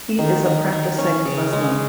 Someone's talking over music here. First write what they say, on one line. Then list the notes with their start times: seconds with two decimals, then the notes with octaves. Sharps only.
He is a practising Muslim.
0.19 D#3
0.45 D#3
0.72 D#3
0.98 C#4
1.25 C#3
1.53 G#3